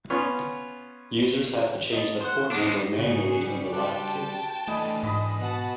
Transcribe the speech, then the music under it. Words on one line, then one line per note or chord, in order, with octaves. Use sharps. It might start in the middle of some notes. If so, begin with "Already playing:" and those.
Users have to change the port number manually in the latter case.
B3 C#4 F4 C#5
D#5 A5
C5 F#5
G#3 D4 D6
G#2 C#3 F#4 G#4 C#7
G3 D5
D4 C5 G5 A5
E3 A3 D4 D#5 G#5 B5
G#2 D#5 B5 D#6
B2 F#4 B4 F#5 A5